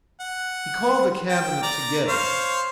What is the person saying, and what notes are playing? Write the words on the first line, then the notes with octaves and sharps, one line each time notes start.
He called the Cabinet together.
F#5
G5
D5 A#5
C5 C#5 F5